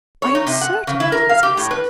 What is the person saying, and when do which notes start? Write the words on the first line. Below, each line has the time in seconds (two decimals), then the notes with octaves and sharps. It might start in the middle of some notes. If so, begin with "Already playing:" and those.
I am certain that he is innocent.'
0.22 C#5
0.35 D#4
0.47 C3
0.61 F#5
0.87 C#3
1.00 E4
1.12 A#4
1.29 F5
1.43 G4
1.57 A2
1.71 B4